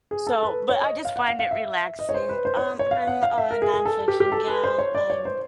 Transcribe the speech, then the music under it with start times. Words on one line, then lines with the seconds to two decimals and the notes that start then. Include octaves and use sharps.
So but, I just find it relaxing um, I'm a nonfiction gal, I'm
0.11 G#4
0.27 A4
0.43 B4
0.69 C#5
0.82 D#5
1.05 F5
1.16 F#5
1.28 F5
1.39 F5
1.51 E5
1.99 D#5
2.09 C#5
2.14 C5
2.29 B4
2.45 C5
2.57 C#5
2.79 C#5
2.91 F5
3.07 F#5
3.23 F5
3.38 E5
3.51 A#4
3.62 G#4
3.74 G#4
3.85 A4
4.08 G4
4.20 G4
4.32 A4
4.47 B4
4.64 C5
4.79 C#5
4.95 D5
5.10 C#5
5.25 C5